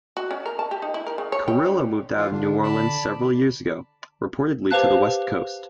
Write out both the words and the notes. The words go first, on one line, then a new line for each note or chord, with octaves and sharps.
Carrillo moved out of New Orleans several years ago, reportedly to the West Coast.
F#4
C#4
A#4
A5
G4
D#4
E4
A#4
C#3
C#5
G5
D3
E3 F4
D3 D4
D5 A5 B5
G4 B4 C5 F5 A5 F#6